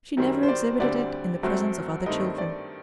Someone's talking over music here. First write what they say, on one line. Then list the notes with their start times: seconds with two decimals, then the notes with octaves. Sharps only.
She never exhibited it in the presence of other children.
0.17 F#2 D#3 G3 C4
0.43 C5
0.48 D5
0.79 D2 D3 G3 C4 D5
1.43 F#2 F#3 A3 C4
2.06 G2 D#3 A3 C4 D#5
2.38 D5